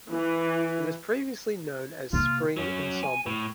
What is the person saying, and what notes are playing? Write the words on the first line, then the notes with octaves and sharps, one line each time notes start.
It was previously known as Spring Ensemble.
E3
C3 A#3 F4
F#3 C#4
G#5
A2